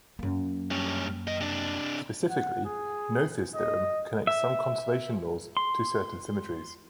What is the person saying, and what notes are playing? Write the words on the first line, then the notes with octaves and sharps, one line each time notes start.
Specifically, Noether's theorem connects some conservation laws to certain symmetries.
F#2 A#3
G2 C#4
D#3 D#5
C3 D4
F#5
G#4
D#5
E5
C6